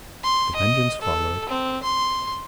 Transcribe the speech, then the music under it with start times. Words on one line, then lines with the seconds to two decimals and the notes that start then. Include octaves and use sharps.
The Vengeance followed.
0.24 C6
0.55 D#5
1.02 A4
1.49 C4
1.83 C6